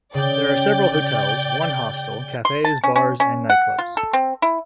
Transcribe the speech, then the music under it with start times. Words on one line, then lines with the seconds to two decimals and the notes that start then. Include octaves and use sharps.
There are several hotels, one hostel, cafes, bars and night clubs.
0.14 C#3 D5 G5 G6
2.45 C6
2.65 A5
2.84 C#4
2.96 C#4
3.20 C#4
3.50 F#5
3.79 F4
3.97 A4
4.13 C4
4.42 E4